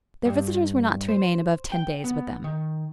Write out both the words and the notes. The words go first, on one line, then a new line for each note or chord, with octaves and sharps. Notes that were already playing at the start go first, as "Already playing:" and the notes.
Their visitors were not to remain above ten days with them.
G2
C5
G5
B3
D#3